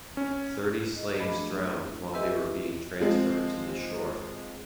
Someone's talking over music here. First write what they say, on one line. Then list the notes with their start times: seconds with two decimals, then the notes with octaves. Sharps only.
Thirty slaves drowned while they were being transferred to the shore.
0.17 C#4
0.96 D#5
1.20 F3 A3 D4 G#4 D#5 B5
2.14 G4 B4 D#5 E5 G#5 E6
3.00 F3 G#3 C4